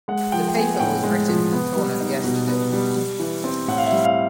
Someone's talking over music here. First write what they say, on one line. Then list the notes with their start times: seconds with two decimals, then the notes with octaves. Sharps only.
The paper was written and torn up yesterday.
0.08 G#3 F#5
0.32 F3 G5
0.48 G5
0.56 B3 G#5
0.75 F#5
0.80 A2 G5
1.04 G#3
1.28 F3
1.52 B3
1.76 G3
2.00 D#4
2.24 B2
2.47 B3
2.73 G3
2.96 G3
3.19 E3
3.44 C4
3.68 A2 F#5
3.78 F5
3.86 E5
3.92 G3
4.04 F5